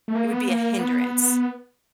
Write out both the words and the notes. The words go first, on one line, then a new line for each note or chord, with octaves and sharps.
it would be a hindrance
A3
A#3
B3
A#3
B3